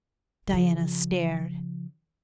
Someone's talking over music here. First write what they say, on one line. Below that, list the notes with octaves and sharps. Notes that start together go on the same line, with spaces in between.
Diana stared.
C#3 F3